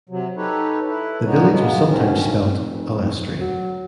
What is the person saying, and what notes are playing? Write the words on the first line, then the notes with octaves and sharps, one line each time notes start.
The village was sometimes spelt 'Alestry'.
C3 F#3
D#4 G4 A4 B4 C#5
E4 A4 B4
A#2 G#3 B3 D4 D#4 C#5
C#3 F#3 G#3 B3
G2 B2 D#3 F#3 C4 C#4
F1
F#3